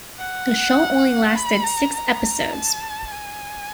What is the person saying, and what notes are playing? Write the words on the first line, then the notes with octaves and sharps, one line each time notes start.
The show only lasted six episodes.
F#5
B5
A#5
A#5
A5
G#5